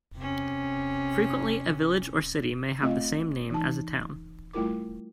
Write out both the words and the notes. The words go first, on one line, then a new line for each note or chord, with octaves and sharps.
Frequently a village or city may have the same name as a town.
C3 C#4
A3 C4 F4 D#5 F5
E3 D#4 A5
G3 A3 E4 F4 A#4 D6